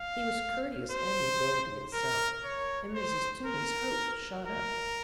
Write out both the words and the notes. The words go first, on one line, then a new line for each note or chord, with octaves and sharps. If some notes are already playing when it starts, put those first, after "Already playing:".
He was courteous amiability itself, and Mrs. Toomey's hopes shot up.
Already playing: F5
C5
A#4
C#5
C5
A#4
A#4